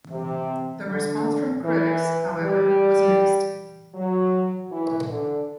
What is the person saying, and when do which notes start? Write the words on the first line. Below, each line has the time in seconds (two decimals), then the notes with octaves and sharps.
The response from critics, however, was mixed.
0.11 C3
0.87 D3
1.64 E3
2.41 G3
3.95 F#3
4.71 E3
5.09 D3